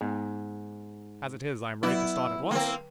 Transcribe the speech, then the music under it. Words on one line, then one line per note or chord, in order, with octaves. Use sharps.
As it is, I am ready to start at once.
G#2 B3
F#3 B3 E4 B4
D3 A#3 C4 G5